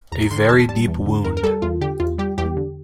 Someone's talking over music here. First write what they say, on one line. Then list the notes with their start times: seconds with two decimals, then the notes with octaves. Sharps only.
A very deep wound.
0.12 E2 A#5
0.31 D3 C6
0.49 E2 A5
0.69 G3 A5
0.87 E2
1.06 D3
1.25 E2 A#4
1.37 A#4
1.43 G3 A4
1.62 E2 F4
1.81 D3 G4
2.00 E2 F4
2.18 G3 G4
2.38 E2 G4
2.57 D3